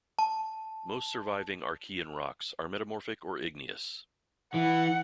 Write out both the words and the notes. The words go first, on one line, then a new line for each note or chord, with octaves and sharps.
Most surviving Archean rocks are metamorphic or igneous.
A5
E3 F#5